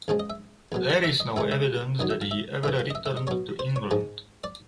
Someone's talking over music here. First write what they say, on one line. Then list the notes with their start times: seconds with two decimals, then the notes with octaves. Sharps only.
There is no evidence that he ever returned to England.
0.08 E2 C#3 F3 G#3
0.20 D#5
0.30 E5
0.72 E2 B2 F#3
0.90 F5
1.04 E5
1.20 D#5
1.36 F2 C3 E3 G#3 E5
1.51 E5
1.99 F#2 D#3 F#3 D#5
2.10 E5
2.21 F5
2.31 E5
2.63 E2 C3 E3 E5
2.79 F5
2.90 D#5
2.95 E5
3.06 E5
3.17 D#5
3.27 B2 F#3 C#5
3.59 C5
3.76 C#5
3.91 G#2 F3 G#3
4.44 D5